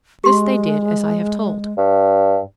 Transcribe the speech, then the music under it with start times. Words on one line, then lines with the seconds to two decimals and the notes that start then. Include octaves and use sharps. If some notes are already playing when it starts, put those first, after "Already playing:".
This they did as I have told.
0.24 G#3 G4 C6
1.78 G2